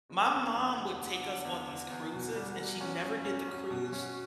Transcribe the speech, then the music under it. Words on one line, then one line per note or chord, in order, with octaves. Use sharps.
my mom would take us on these cruises and she never did the cruise,
F#1
E2
E2
D3
D3
D3
E2
D3
E2
B2
G3
G3
C#4
C#4
C#4
C#4
B2
C#4